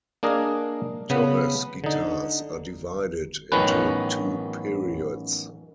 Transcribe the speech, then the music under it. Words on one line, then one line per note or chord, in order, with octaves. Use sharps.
Torres guitars are divided into two periods.
A#3 D4 G#4 A#4 D#5
C#3 B3 B4
D3 D#4
A1 F#2 D#3 B3 C#4 B4